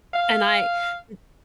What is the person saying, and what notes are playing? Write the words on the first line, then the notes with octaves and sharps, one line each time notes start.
And I n
F5